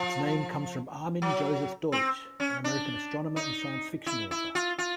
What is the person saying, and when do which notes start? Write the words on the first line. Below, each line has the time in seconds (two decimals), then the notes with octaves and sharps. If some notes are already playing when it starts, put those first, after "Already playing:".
Its name comes from Armin Joseph Deutsch, an American astronomer and science-fiction author.
Already playing: F3
1.22 F#3
1.92 C4
2.40 C#4
2.64 D4
3.36 D#4
4.07 E4
4.31 E4
4.55 F4
4.78 F4